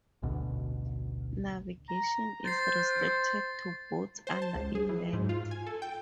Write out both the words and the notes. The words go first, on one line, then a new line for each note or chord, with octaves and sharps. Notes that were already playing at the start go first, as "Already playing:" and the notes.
Navigation is restricted to boats under in length.
A1 D2 B2 D3
A#5
C5 A6 C7
C5
A5
C#2
G#4
E3
G#2
F4
G#5
A4
G5